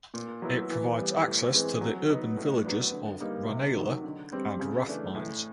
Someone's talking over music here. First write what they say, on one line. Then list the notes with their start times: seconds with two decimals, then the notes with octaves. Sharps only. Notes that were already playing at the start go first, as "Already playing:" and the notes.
It provides access to the urban villages of Ranelagh and Rathmines.
0.14 A#2
0.42 F#3 B3 E4
0.71 E3
0.98 G3 B3
1.26 A2
1.54 E3 G#3 C4
1.81 F#3
2.10 B3 D#4
2.37 A2
2.65 F#3 B3 D4
2.92 D3
3.20 G3 A#3 D#4
3.48 C3
3.76 D#3 F#3
4.04 D3
4.32 G3 C4
4.60 C#3
4.87 E3 A3 D4
5.15 A2